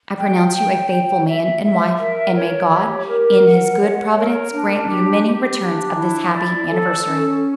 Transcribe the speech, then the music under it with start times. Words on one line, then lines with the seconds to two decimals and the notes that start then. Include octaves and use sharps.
"I pronounce you a faithful man and wife: and may God, in his good providence, grant you many returns of this happy anniversary."
0.17 G5
0.54 G5
0.90 G5
1.27 E5
1.62 E5
1.98 A#4
2.35 C#5
2.70 G4
3.07 A#4
3.44 F#5
3.79 C#5
4.16 A#4
4.52 D4
4.89 G4
5.24 G4
5.60 D4
5.96 E4
6.33 D5
6.69 A4
7.06 C#4